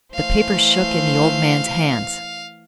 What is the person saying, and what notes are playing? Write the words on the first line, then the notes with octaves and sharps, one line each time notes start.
The paper shook in the old man's hands.
E3 A3 C5 F5